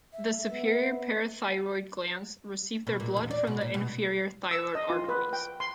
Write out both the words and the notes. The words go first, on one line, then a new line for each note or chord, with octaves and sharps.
The superior parathyroid glands receive their blood from the inferior thyroid arteries.
E5
B3
B2
A#2
E2
D5
B2
A#2
B2
E6
D#5
F4
B4
G5
C6